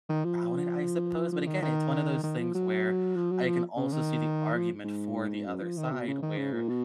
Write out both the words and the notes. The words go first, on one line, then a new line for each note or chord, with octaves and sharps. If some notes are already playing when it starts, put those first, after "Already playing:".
about it, I suppose. But again, it's one of those things where I can also see the argument for the other side where
D#3
F3
F3
D#3
D#3
D#3
F3
F#3
F3
F#3
F3
C#3
D#3
F3
G#2
F#2
F3
D#3
B2
C#3
D#3
C#3
A#2
B2